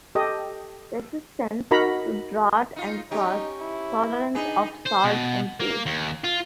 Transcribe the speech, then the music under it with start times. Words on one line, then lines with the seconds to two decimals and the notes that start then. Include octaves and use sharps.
Resistance to drought and frost; tolerance of salt and base.
0.15 G4 A4 D#5
1.71 D#4 F#4 A#4 F#5 A#5 B5
2.76 D#4 F4
3.11 C#4 D#4 G4
3.60 E4
4.35 D4 D#4 G#4 B4
4.86 C5
5.04 B2
5.60 A#3
5.86 D#2
6.24 F4